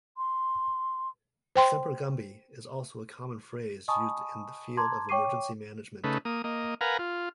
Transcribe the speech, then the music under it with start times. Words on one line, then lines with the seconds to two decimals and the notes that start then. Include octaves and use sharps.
"Semper Gumby" is also a common phrase used in the field of emergency management.
0.17 C6
1.56 C5 G5 C6
3.88 D#5 G#5 A5 B5 C#6 D#6
4.77 A5 A#5 C6 D6 G#6
5.09 C#5 G5 C#6 D6 C7 D#7
6.04 C#3 A3 D#4 B4
6.25 A#3 D#6
6.44 A#3 D#5
6.81 A#4 B4 F5 F#5 G#5 A#5
6.99 F4